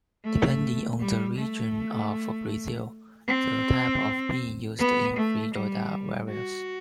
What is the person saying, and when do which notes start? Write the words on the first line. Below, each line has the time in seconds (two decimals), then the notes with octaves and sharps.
Depending on the region of Brazil, the type of bean used in feijoada varies.
0.24 A3
1.00 G3
1.38 A3
3.27 C4
4.79 B3
5.17 A3
5.55 G3
6.30 F#4